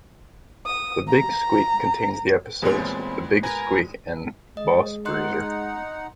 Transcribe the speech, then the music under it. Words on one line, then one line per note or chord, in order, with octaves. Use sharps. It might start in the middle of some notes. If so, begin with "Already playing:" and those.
"The Big Squeak" contains the episodes "The Big Squeak" and "Boss Bruiser".
D#6
A#5
E2 A#2 G3 G#3 B3 C4 C#5
A#4 B4 G#5 A#5
G#3 D#5
D#4 D#5 F#5 C6 F#6